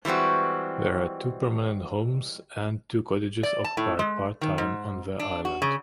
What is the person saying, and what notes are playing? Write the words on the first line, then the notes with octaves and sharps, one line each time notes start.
There are two permanent homes and two cottages occupied part-time on the island.
E3 G3 G#3 C4 F#4
D5
A5
A2
G#3
D#3
G#2
D4
F#4
C#3